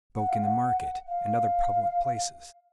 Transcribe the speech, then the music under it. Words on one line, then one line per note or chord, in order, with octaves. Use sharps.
He spoke in the market and other public places.
F#5
F5
F#5
F5